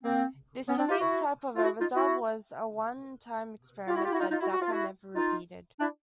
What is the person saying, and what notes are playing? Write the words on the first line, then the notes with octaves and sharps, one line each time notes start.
This unique type of overdub was a one-time experiment that Zappa never repeated.
A#3 C4
B3 C#4
C4 D4
F4 G4
E4 F#4
F4
E4 F#4
D#4 F4
E4 F#4
F4 G4
E4 F#4
F4 G4
E4 F#4
D#4 F4
D#4 F4
E4 F#4
F#4
F4
E4 F#4
D#4 F4
D4 E4